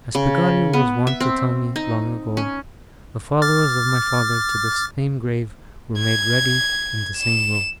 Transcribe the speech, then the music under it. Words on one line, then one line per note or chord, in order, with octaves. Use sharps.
As Peggotty was wont to tell me, long ago, the followers of my father to the same grave were made ready in the same room.
C#3
B3
E5
C4
D#4
C#4
D6 F6 A6
G#6
E7